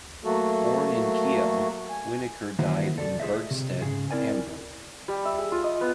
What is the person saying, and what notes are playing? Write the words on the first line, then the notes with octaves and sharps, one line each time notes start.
Born in Kiel, Wenneker died in Bergstedt, Hamburg.
F#3 A3 A#3 F#4 A4
G#5
D#3 E3 A#3 E4 F#4 C5
C2 F2 A4 D5
F4 G#4 B4 C5 D#5 E5
C3
G#2 C#3 G#4
C4 E4 A#4 D5 G#5
G3
E5
G#4
F4
D#5
B3